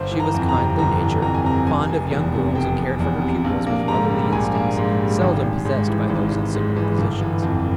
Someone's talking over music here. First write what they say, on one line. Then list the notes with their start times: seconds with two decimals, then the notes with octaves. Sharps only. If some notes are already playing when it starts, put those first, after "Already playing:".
She was kindly natured, fond of young girls and cared for her pupils with motherly instincts seldom possessed by those in similar positions.
Already playing: G1 C5
0.12 E3
0.20 A#5
0.34 F2
0.49 A#5
0.56 C3
0.78 G1 A#5
1.00 E3
1.22 F2 A#5
1.34 G#5
1.44 C3 A#5
1.67 F1 G#5
1.89 F1
2.11 E2
2.33 C3
2.55 F1 G5
2.78 F1
3.00 E2
3.22 C3
3.44 A#1
3.67 A#3
3.88 G#2 A#5
4.10 G3
4.32 A#1 G#5
4.55 A#3
4.77 G#2
5.00 G3
5.21 G#1
5.44 G#1
5.65 G#2
5.88 E3
6.10 G#1
6.32 G#1
6.55 G#2
6.76 E3
6.98 G1
7.21 E3
7.43 F2